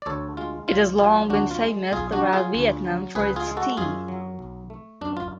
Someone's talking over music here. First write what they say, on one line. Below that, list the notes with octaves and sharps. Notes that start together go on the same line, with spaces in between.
It has long been famous throughout Vietnam for its tea.
D5
D2 A4 C#5
G#3 F4
C#2 F4
F#3 F4 G#4
D2 D4 F#4
F4
G#3
B1 F4 G#4
D4 F#4
F#3
F4 G#4
D2
F#3
C#2 G#4 B4
F4 G#4
G#3
F#4 A4
F#2 F4 G#4
F#3
B1
A3
F#2 D4
F4